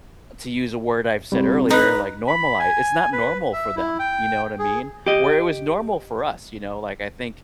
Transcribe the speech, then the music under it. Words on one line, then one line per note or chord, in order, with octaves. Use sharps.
to use a word I've said earlier, like, normali it's not normal for them, you know what I mean? Where it was normal for us, you know, like I think
C2 G3
D#4 B4 A#5 F#6
B5
G#5
B4
E5
E4
G5
G#4
G4 D#5